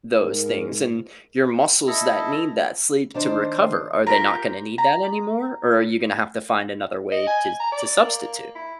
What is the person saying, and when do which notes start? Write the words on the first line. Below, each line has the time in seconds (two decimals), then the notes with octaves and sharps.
those things, and your muscles that need that sleep to recover, are they not gonna need that anymore, or are you gonna have to find another way to to substitute?
0.23 G#2 A#4
1.87 E4 A4 D#5
3.14 D#3 D4 C5
4.07 F4 G4 A#4 A#5
4.78 A#5
7.12 D#5
7.27 G#5
7.60 A#5
7.72 D5
8.05 A#3
8.55 E4